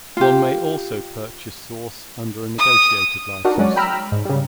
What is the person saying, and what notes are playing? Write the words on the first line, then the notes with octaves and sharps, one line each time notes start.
One may also purchase source under a negotiated license.
F4 G4
D#6
D4 D#4 F#4 A#4
F#3 G#3 C#4 F#4 D5
G5 A#5 B5 E6 F6
G#2
C#3 G3